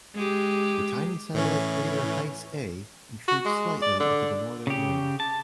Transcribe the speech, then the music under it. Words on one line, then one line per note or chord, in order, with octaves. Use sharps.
The tiny satellite crater Heis A intrudes slightly into the northern rim.
G#3 G4
A2 E3 C#4
F#4
G#3
D5
D3
C#3 G4
A5